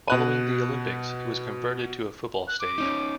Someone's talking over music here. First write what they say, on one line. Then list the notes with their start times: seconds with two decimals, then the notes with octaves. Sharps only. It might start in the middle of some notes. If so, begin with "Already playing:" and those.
Following the olympics it was converted to a football stadium.
0.08 B2 F#6 D#7
2.48 F#6
2.60 D6
2.78 C#4 D#4